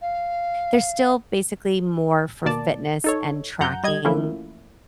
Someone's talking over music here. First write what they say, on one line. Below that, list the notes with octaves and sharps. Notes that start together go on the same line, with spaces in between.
they're still basically more for fitness and tracking.
F5
D#2 B2 A#3 D5 A5
D#4 A4 C#5
F#2 F#5 A#5 G6
G3 D#5 G#6
E3 F3 A3 A#3 C#4 E4